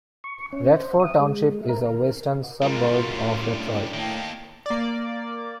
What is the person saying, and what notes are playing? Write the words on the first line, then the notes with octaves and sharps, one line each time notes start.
Redford Township is a western suburb of Detroit.
C#6
C#4
C5
D#6
G#3
A#4
A#4
F#2 G3 G#3 F4 A#4
A2 F#4 A#4
D4
D#3 A#3 G5 A5
A#3 D5